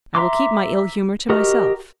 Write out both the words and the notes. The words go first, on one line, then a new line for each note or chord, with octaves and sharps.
I will keep my ill-humour to myself.
E5 A#5 C6 D6
F#4 G4 A#4 D#5